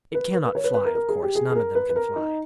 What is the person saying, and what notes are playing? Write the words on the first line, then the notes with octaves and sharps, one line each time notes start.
It cannot fly, of course: none of them can fly....
B4
B4
B4
C#5
B4
B4
A#4
A#4
G#4
G4
G#4
G#4
A#4
B4
B4
A#4
D#4